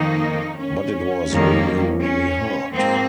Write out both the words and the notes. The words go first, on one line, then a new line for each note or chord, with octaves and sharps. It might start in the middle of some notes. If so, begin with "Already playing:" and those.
But it was really, really hard.
Already playing: F2 D#3 A#3 D#4
C#4
F2 D#3 G3 A#3
C#4
G#2 F3 A#3 C4